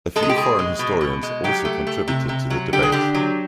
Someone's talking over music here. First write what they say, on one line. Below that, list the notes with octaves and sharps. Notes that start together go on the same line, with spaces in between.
A few foreign historians also contributed to the debate.
G#3 A4
G#4
G4
B2 G#4
G#3
B2
B2
G#3
F#3 G4
A3
A3
C3
C3
F#3
D3 G4
G#4
D3 G4
F#3